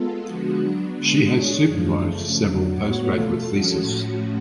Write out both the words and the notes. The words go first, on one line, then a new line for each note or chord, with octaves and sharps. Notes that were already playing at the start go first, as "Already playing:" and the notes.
She has supervised several post graduate theses.
Already playing: G#3 B3 F4 A4
D3 F3 G#3 B3 F#4
F#3 B3 D4
D3 G#3 B3
G#3 D4 G#4 C#5
F#2 F3 G#3 D4 F4
C#3 F3 A3
F2 D3 F#3
A2 F#3 B3 F#4 C#5
B2 A3 F4 A4
F3 G#3 C#4 F#4 A4
A2 F3 A3 C#4 F#4